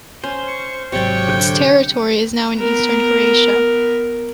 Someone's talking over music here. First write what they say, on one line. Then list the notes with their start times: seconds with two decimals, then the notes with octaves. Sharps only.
Its territory is now in eastern Croatia.
0.24 C#4 C5
0.47 C#6
0.92 G#1 G#2 C3 F#3 C#5 D5 G5 C#6
1.28 D3 G4 G6
2.57 B3 A#4